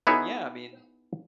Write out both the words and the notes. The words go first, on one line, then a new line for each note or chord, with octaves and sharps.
But, yeah, I mean,
B3 D#4 E4 F#4 G#4 C#5